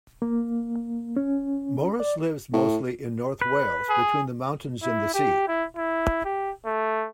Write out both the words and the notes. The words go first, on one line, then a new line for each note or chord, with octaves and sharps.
Morris lives mostly in North Wales, between the mountains and the sea.
A#3
C#4
D5
A2
B4
G#4
E4
G4
E4
E4
G4
A3